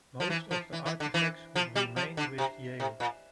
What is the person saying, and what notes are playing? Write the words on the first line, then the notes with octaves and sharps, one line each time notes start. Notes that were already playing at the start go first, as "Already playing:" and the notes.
Most of the artifacts would remain with Yale.
F3
E3
F3
E3
E3
D3
E3
F3
G3
F3
D3
C3
C3
A#2